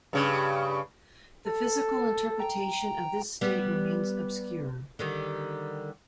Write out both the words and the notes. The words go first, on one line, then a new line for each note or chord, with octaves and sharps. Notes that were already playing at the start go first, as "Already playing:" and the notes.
The physical interpretation of this state remains obscure.
G2 C#3
A4
G5 A#5
G3 B3
D3 D#3 G3